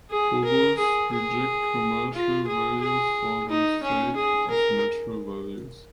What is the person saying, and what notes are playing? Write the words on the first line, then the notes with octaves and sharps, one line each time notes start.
Bobos reject "commercial" values for the sake of "natural" values.
G#4
A#4
G#4
G#4
F4
G#4
G#4
D#4
C#4
G#4
A#4